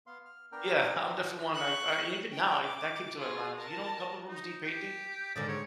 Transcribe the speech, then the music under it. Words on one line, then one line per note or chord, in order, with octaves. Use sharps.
Yeah. I'm definitely one. Like, even now, if that came to my mind, I was, you know, a couple of rooms need painting.
B3 F5 C6
F6
B3 D4 A#4 G5 F6
C#6 F#6
G5
D6
F4 G#4
A#4 A5
D#4
G4
G#2 D3 D#3 D5
C#5